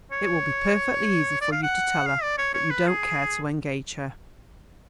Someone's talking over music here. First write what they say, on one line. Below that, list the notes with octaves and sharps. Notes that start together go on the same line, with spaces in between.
It will be perfectly easy for you to tell her that you don't care to engage her.
C#5
D5
F5
F#5
F5
D5
C#5
C#5
B4
G#4